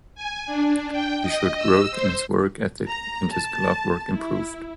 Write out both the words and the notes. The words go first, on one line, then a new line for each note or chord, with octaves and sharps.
He showed growth in his work ethic and his glove work improved.
G#5
D4
G5
D#5
E6
C5
A#5
A5
E4